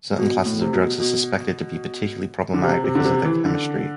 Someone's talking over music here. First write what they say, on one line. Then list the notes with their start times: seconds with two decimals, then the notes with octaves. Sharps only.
Certain classes of drugs are suspected to be particularly problematic because of their chemistry.
0.18 B2
0.45 A2
0.61 C3
0.73 B2
1.00 B2
2.54 D3
2.63 C3
2.84 C3
2.95 D3
3.05 C3
3.25 E3
3.45 D3